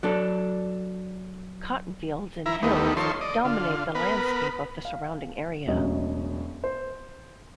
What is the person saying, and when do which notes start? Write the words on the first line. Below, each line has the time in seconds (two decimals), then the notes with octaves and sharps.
Cotton fields and hills dominate the landscape of the surrounding area.
0.03 F#3 D4 A4
2.46 E3 E4 A#5
2.63 D#2 E3 G3 A3 B3 D#4
2.97 D#3 F3 A4 C#5 C6
3.21 D5 D#5
3.45 D3 F4
3.95 B3 A#4 B4
4.85 F5
5.67 E1 A1 F#3 D#5
6.64 C5